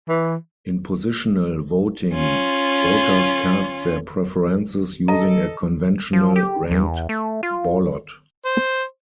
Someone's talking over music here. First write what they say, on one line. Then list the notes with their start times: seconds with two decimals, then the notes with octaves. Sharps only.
In positional voting, voters cast their preferences using a conventional ranked ballot.
0.09 E3
2.13 C#4 F4
5.08 A4 D#5 A#5
6.13 F3
6.36 G4
6.71 E2
7.09 A3
7.43 F4
8.45 C5